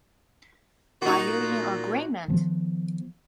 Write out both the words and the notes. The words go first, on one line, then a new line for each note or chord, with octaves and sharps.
Are you in agreement?
A#2 D#4 F#4
D#3 F3 B3